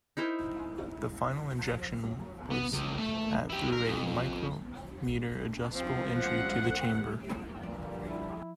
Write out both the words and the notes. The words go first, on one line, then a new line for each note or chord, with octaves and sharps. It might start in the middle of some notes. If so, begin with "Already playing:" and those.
The final injection was at through a micrometer-adjustable entry to the chamber.
D#4 E4 A#4 C5
B3
C#2
A3 E5
E4 G4
A#4
F2
F3 C4
G#3 C5 F#5
G2 A#2 D3 F3 G3 A#3 D5
E4